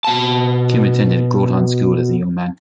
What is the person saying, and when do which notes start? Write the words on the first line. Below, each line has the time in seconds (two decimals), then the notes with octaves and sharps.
Kim attended Groton School as a young man.
0.04 B2 A5